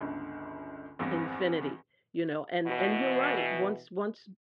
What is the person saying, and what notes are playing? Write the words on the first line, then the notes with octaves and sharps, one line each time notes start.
infinity, you know? And and you're right, once once
G1 C#2 D3
G#1 E2 G2 C4 F5 A#6
B2 E3